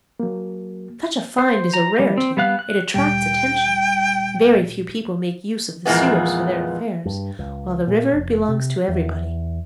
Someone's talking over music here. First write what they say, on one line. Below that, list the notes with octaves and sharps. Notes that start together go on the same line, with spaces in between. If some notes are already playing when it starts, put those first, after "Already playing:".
Such a find is a rarity, it attracts attention, very few people make use of the sewers for their affairs, while the river belongs to everybody.
F#3 A#3
C5
A#5
G3
C4
G3 B3 F5 F#6
F#6
D2 A#2 G3 G5
F2 A#2 E3 G#3 B3
G2
C#2
A#2
F1
C3
E2